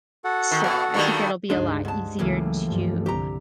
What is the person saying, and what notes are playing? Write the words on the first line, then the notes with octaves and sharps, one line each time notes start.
so I think it'll be a lot easier to
F#4 A4 F#5
D#3
B2
G2 D#3 G3
C#2 G2 G#3 D4 D#4
G#2 A5
C#2 A2 E3 F#3 A#3
G2 F3
C2 D3 G4 A#5